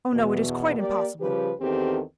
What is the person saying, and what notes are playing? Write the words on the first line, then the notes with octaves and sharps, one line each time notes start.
Oh, no, it is quite impossible.'
E2 B2
A#3 G4 D5
C#3 F3 G3 G4 B4
E2 D#3 C4 G4 A4